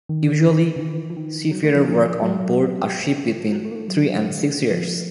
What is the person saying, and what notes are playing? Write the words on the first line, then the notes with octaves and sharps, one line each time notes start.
Usually, seafarers work on board a ship between three and six years.
D#3
C#3
D#3
F3
D#3
F#3
A3
F3
F3
F#3
A3
F3
F#3
A3
A#3
A3
F#3
F3